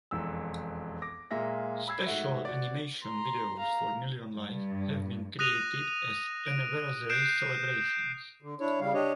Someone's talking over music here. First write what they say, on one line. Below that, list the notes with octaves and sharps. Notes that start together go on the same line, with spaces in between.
Special animation videos for Million Live have been created as anniversary celebrations.
E1 F2 E3 E6
D6 A#6
A#2 G#3 A#3 E5 A#6
B5 E6 G#6 C7
G#2 A3 F#4 E5
F#4 D5
A#5 C6
F5 A#5
G2
D#6 F#6 A#6 D#7 F7
D7
F#6 G6 C7 D7 E7
D3
D4 E4 C#5
C#3 G3 F5
D4 G4 C#5 D#5